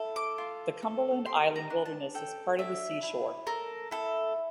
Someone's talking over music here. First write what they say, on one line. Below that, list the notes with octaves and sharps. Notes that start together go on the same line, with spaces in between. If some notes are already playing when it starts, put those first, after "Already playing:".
The Cumberland Island Wilderness is part of the seashore.
Already playing: E4 A4
D6
F4
A4
G4 C6
A#5
D4
A5
A4 G5
D4 E5
E4
A4 A#4
E4 A4